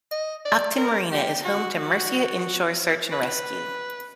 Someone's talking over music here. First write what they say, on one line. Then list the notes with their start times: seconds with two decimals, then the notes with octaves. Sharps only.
Upton Marina is home to Mercia Inshore Search and Rescue.
0.12 D#5
0.45 D5
0.78 A#4
1.12 G4
1.45 F#4
1.78 F#4
3.12 B4